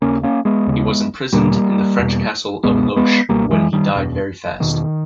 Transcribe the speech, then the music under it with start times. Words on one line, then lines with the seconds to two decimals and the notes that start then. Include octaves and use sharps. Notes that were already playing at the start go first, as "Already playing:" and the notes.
He was imprisoned in the French castle of Loches when he died very fast.
0.02 D#2 C#3 A#3 C#4
0.23 A#3 C#4
0.45 G#3 B3
0.67 D#2 C#3
1.33 E2 B2 G3 A#3
1.99 E2 B2
2.63 C#2 B2 G#3 B3
2.96 G#3 B3
3.29 C#2 B2 G3 A#3
3.51 E3 G#3
3.73 D#3 G3
3.95 E2 B2
4.60 E2 B2 D#3